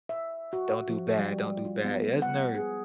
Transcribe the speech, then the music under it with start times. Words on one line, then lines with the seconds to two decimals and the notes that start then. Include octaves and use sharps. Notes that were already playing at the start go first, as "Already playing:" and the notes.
don't do bad, don't do bad." It's nerve
0.09 E5
0.53 F#4
0.89 F3
1.19 G3
1.65 F4
1.85 B3
2.22 F#5
2.54 G#4